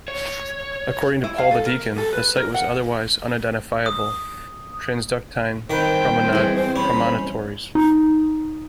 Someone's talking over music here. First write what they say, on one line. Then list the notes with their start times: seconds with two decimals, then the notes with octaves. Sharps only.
According to Paul the Deacon, the site was the otherwise unidentifiable "Transductine promontories".
0.08 C#5
1.24 E4
1.38 F5
1.51 A4
1.66 A#4
1.98 A4
2.13 B4
2.37 A#4
2.54 F#5
3.86 D#6
5.70 D#3 G3 C4 B4 C5 G5
6.33 E3 G#3
6.76 C#4 B5
7.75 D#4